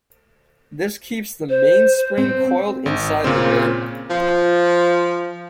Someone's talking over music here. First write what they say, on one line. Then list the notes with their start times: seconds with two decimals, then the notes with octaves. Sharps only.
This keeps the mainspring coiled inside the barrel.
1.49 C5
2.18 C4 C5
2.86 G#1
3.24 A#2 C#3 C4
4.11 F3